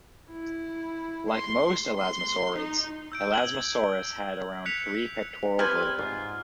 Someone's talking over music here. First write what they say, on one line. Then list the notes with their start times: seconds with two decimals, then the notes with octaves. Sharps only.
Like most elasmosaurids, "Elasmosaurus" had around three pectoral vertebrae.
0.32 E4
1.32 C6
1.97 C6
2.57 D#4
3.12 E6 G6 D7
3.32 G#6 F#7 G7
4.65 F#6 B6 C#7 F7
5.59 G3 C4 B4 G#5 F6
5.98 G#2 F4